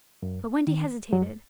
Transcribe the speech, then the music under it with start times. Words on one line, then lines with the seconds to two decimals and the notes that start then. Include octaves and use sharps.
But Wendy hesitated.
0.23 F#2
0.67 D#3
1.13 F#2 F#3